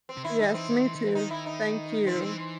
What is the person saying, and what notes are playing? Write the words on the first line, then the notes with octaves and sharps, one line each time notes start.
Yes, me too. Thank you.
C4
C3
D#3 E4
D#3 D#4
E3 C4
D#3
E3
D#3
E3
D#3 D#4
E4
D#4
E3 C4
D#3
E3 C4